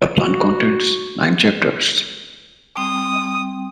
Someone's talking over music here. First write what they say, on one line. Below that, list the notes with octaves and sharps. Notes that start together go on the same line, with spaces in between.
The Plan contains nine chapters.
F#4
G3 C4 G5 D#6